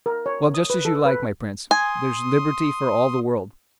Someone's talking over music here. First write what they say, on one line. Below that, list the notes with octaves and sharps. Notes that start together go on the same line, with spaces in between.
Well, just as you like, my prince; there's liberty for all the world.
A#4
C#5
D#6
B4
A4
B4
G#5 C6 D#6